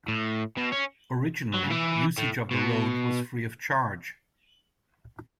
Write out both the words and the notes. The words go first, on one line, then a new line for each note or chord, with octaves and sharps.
Originally usage of the road was free of charge.
A2
B2
C#4
F#3
C#3
E3
A2
B2